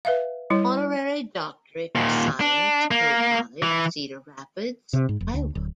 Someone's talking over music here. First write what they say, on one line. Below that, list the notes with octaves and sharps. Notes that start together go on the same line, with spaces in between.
Honorary Doctorate of Science, Coe College, Cedar Rapids, Iowa.
B4 E5 F5
G3 E4 C#5
D#2 A#2
D4
A#3
E3
C3
G#2
F1
D2
D1